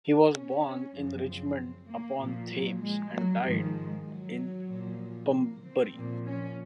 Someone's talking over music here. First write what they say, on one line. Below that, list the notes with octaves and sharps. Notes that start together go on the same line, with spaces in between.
He was born in Richmond-upon-Thames and died in Pembury.
C#4
F#2 C#3 F3
C4
A#3
A#2 F3
F#3
G#3
F#3
G#2 D#3 F3
F#3
A#2 F3
A#3
C4
A#2 F3
C#4